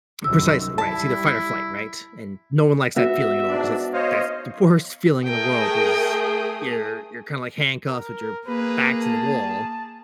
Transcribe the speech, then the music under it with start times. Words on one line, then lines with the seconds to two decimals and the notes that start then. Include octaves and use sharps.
Precisely, right. It's either fight or flight, right? And no one likes that feeling at all, 'cause it's that's the worst feeling in the world is you're you're kinda like handcuffed with your back to the wall.
0.24 C2 F#2 D#3 E6
0.78 G3 E4 A5
2.96 B3 F#4 E5
3.48 G#2 D4 D5
3.93 C5 C#5 D#5 F5
5.25 A3 G#4 A#4 G5 D#6
7.88 A#4
8.47 A#3 G#4 B4
9.02 A5